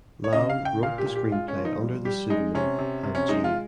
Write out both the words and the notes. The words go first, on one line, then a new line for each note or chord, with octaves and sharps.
Lau wrote the screenplay under the pseudonym "Ann Gee".
C#5
C#3 D#5
F5
C#3
G5
A#2 F5
G4
A#2
G4
G#3 F4
C#4
F3
D#4
G3
G3 G4
G#3 D#4
C3 C#4
C3
C3
C#4
G#3 D#4
F4